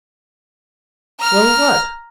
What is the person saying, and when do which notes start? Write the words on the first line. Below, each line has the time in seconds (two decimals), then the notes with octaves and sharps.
"Well, what?"
1.20 A#5 F6